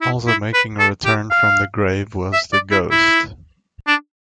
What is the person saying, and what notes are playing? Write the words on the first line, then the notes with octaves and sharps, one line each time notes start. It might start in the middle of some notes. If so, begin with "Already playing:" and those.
Also making a return from the grave was the Ghost.
E4
E4
B4
A4
G4
F5
E5
D5
E4
E4
D4